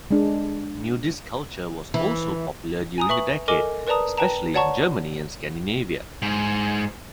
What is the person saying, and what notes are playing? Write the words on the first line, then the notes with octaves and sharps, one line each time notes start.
Nudist culture was also popular during the decade, especially in Germany and Scandinavia.
G#3 D4
E3
G#5 A#5 D#6
B4 E5 C#6 F#7
A4 A#4 D#5 G#5 D6
A#4 B4 D5 A5 A#5 D#6
B4 G5 A5 A#5
C#5 D5 F#5 A5 A#5 C#6
G#2